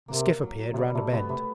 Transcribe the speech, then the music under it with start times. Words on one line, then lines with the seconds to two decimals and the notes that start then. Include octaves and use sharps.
The skiff appeared round a bend.
0.08 C3 A#3
0.43 F#3
0.73 C3
0.78 C#3 G3
0.94 C3 A3
1.12 C3 B3
1.29 C3 B3